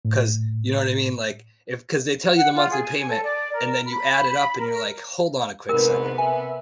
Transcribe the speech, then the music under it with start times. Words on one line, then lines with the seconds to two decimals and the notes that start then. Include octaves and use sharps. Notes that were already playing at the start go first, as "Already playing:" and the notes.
'Cause, you know, what I mean? Like, if 'cause they tell you the monthly payment, and then you add it up, and you're like, "Hold on a quick second.
0.05 A2
2.36 F#5
2.55 F4
2.71 G#4
2.84 G#5
3.09 A4
3.24 D5
3.54 A#4
3.85 B5
4.58 A#4
5.69 D2 G#2 C3 B3 A#4 B4
6.18 E5 G#5